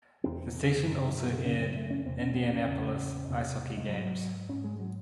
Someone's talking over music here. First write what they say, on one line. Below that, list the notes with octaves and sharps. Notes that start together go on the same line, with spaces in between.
The station also aired Indianapolis Ice hockey games.
E2 C3 C4
F#2 C#3
F#2 C#3 C#4
C4
A3
C#4
E2 C3 C4
C#4
C4
C#4
E2 C#3
E2 C3
G#3
G#2 F#3
G#2 C#4
G#3
F#3